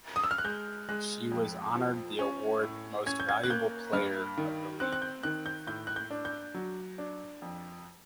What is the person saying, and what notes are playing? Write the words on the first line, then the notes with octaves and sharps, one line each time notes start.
She was honored the award of "Most Valuable Player" of the league.
D#6
E6
F6
F#6
G#3 G6
G#3 F#6
F2
F3
C#4
A2
C#4 G#6
G6
G#6
F#6
A#3 G6
G2 F6
D#3
C4 F#6
F#6
G6
D#3 F#6
G6
A2 G6
F#6
G6
D4
G6
F#3
D4
F2